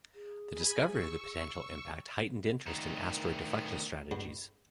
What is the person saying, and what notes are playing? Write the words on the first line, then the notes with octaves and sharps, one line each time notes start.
The discovery of the potential impact heightened interest in asteroid deflection strategies.
G#4
G#5 B5
C#6 E6
D2 D#3
G2